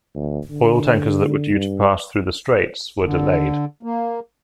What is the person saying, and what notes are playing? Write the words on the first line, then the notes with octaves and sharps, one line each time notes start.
Oil tankers that were due to pass through the straits were delayed.
D2
D3
G2
D3
A#3